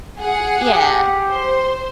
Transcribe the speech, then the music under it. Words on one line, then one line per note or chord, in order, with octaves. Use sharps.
y yeah.
G#4 F#5
G4
C5